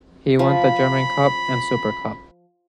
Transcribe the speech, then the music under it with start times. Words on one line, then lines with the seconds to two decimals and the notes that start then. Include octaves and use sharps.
He won the German Cup and Super Cup.
0.39 F3 B5